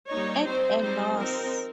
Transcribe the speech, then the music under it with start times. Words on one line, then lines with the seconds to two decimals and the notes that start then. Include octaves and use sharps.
At a loss.
0.08 G3 A#3 D#4 C#5
0.45 G3 C4 D#4 C5
0.80 G3 C4 D#4 C5
1.17 F3 C4 D#4 A#4